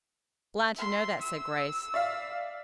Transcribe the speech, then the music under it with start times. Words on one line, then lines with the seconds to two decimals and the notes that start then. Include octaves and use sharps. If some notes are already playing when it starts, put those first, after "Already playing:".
"Glad to know that," said Grace.
0.78 E5 C6
1.22 E6
1.94 D5 E5 F5